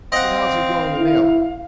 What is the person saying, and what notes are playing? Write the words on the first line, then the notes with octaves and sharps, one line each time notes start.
'But how's he going to nail him?
C4 D#5 F5 F#5
E4